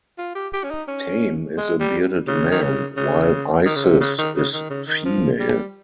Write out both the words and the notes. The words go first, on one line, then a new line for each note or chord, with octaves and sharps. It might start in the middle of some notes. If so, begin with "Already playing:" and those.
Thame is a bearded man, while Isis is female.
F4
G4
G4
C#4
D#4
C#4
G#3
G3
C#3
D#3
C#3
C#3
D#3
C#3
C3
C#3
D#3
C#3
D#3
C#3
D#3
F3
G3